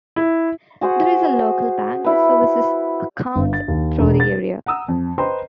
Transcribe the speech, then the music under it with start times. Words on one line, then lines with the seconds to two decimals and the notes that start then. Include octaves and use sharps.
There is a local bank that services accounts through the area.
0.16 E4
0.81 F#4 G#4 C5 F#5
2.04 E4 B4
3.36 G1
3.53 A6
3.68 D#2
3.99 E1
4.20 A6
4.66 F#5 A#5 D#6 E6
4.88 F2
5.18 B4 C5 D#5 G5 A#5 C6